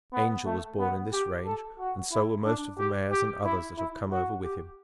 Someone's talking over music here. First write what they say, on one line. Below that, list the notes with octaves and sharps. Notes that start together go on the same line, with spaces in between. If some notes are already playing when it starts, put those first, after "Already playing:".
Angel was born in this range, and so were most of the mares and others that have come over with him.
B3
A3
B3
G4
A4
F#4
E4
D4
G4
G4
E4
E4
F#4
G4